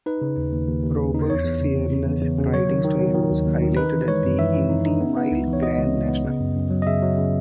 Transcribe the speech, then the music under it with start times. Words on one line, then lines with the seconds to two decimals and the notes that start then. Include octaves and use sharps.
Roberts' fearless riding style was highlighted at the Indy Mile Grand National.
0.06 D#4 B4
0.22 C#3
0.37 D#2
0.52 D#2
0.68 D#2
0.84 D#2
0.99 C#3
1.14 D#4
1.30 E2 C#5
1.45 E2
1.61 C#3
1.76 E2
1.92 C#3
2.07 E2
2.22 E2
2.38 C#3
2.53 F#3 C#5
2.69 D#3
2.85 D#3
2.99 F#3
3.15 D#3
3.30 D#2
3.46 D#2
3.62 D#3
3.77 D#4 B4
3.93 E3
4.08 G#3 C#5
4.24 F#2
4.38 E3 E5
4.54 E3
4.70 D#4
4.86 D#4
5.01 B3
5.17 B3
5.32 C#2
5.47 E3
5.53 C#5
5.63 B3 D#5
5.78 C#2
5.93 C#2
6.09 B3
6.24 C#3
6.40 F#2
6.56 F#2
6.70 F#3
6.82 D#5
6.87 C#3 E5
7.02 F#3
7.18 C#3